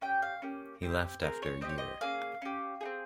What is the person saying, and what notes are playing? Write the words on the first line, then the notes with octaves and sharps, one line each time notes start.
He left after a year.
C#4 G4 G5
F5
A#3 C#4 G4
C4 G4
C4 D#4 G#4 A#4
C#5
C4 G4 C#5 D#5
D#5
A#3 C#4 G#4 F5
C#4 G4
C4 D#4 G#4